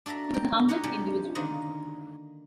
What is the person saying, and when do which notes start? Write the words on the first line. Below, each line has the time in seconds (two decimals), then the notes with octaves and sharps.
He was a humble individual.
0.06 D4 F#4 A4 E5 A#5
0.34 G5 A#5
0.68 D#4 G4 C#5 F#5 A#5
0.83 C3 G3 C#4 D4 F#4 G4
1.35 D3 D#3 A#3 D#5 F#5